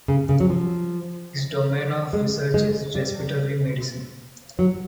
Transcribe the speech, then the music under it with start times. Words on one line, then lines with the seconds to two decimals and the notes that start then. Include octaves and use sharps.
His domain of research is respiratory medicine.
0.08 C#3
0.29 C#3
0.40 F#3
0.50 F3
2.13 G#3
2.54 G#3
2.95 G3
4.59 F#3